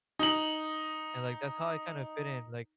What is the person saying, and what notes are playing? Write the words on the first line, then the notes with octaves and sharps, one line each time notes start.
and, like, that's how I kind of fit in, like,
D#4 F#7